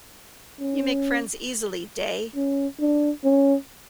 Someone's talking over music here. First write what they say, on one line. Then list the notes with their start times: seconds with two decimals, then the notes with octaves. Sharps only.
You make friends easily, Day.
0.60 C#4
2.36 C#4
2.80 D4
3.24 C#4